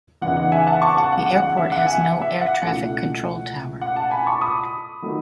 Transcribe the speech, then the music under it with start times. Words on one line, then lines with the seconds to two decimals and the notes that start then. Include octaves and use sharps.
The airport has no Air Traffic Control Tower.
0.22 E2 C#3 E3 B3 D#4 F#5
0.37 F#5
0.52 E5 G#5
0.67 F#5 A5
0.82 A5 C#6
0.97 F#5 A5
1.12 F#5
1.26 F#5
1.42 F#5
1.57 E5
1.72 F#5
1.86 E5 G#5
2.01 F#5
2.22 E5
2.41 F#5
2.62 C#2 B2 A3 C#4 E4 F#5
3.81 F#5
3.96 F#5 A5
4.11 G#5 B5
4.26 A5 C#6
4.41 B5 D#6
5.02 D#3 F#3 A3